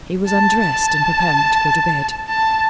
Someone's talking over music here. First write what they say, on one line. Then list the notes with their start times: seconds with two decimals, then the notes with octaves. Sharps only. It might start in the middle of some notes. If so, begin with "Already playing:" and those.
He was undressed and preparing to go to bed.
0.26 A5
0.60 A5
2.28 A5